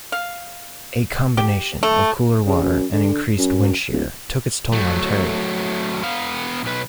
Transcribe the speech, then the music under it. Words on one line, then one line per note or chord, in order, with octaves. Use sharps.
A combination of cooler water and increased wind shear took its toll on Terry.
F5
G4
A3
C#3
F#2
D3
F#2
D1
F#3 A3
B3 F5
B1 B4